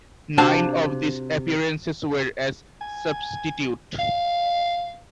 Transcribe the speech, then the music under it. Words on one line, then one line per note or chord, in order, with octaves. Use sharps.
Nine of these appearances were as substitute.
C3 D4 F#4 F5 A5
G#5
F5